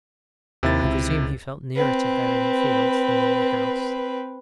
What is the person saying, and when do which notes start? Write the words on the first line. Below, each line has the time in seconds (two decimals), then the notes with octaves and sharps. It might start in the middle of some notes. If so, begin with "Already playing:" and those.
I presume he felt nearer to her in the fields than in the house.
0.63 D#2 C3 E4 A6
0.84 C#2
1.76 C4 B4